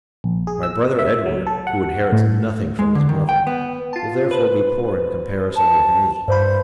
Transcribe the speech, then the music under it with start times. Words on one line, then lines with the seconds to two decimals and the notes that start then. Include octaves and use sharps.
My brother Edward, who inherits nothing from his mother, will, therefore, be poor in comparison with me.
0.24 A#1
0.47 G#4
0.63 E6
0.99 E5
1.26 F#3
1.47 A4
1.67 F#5
2.12 A2
2.79 G#3
2.95 D3
3.09 D#3
3.29 G5
3.47 B3
3.93 F4 A5
4.31 B4 C5
5.56 A5
6.28 G2 C5 B5